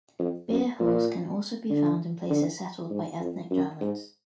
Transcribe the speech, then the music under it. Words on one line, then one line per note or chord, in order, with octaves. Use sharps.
Beer halls can also be found in places settled by ethnic Germans.
F2
F#2
A#2
D3
D3
G#2
F2
F#2
G#2